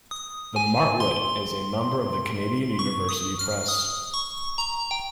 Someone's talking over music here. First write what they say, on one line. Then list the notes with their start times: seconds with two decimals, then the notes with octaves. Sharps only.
The Martlet is a member of the Canadian University Press.
0.11 D#6
0.56 G#5
1.00 C6
2.79 C#6
3.09 D#6
3.39 F6
3.68 D#6
4.14 C#6
4.58 A#5
4.91 G5